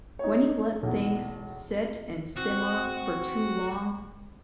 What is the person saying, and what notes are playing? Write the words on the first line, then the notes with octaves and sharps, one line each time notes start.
When you let things sit and simmer for too long,
D#4 C#5
B1 E2
C4 F#4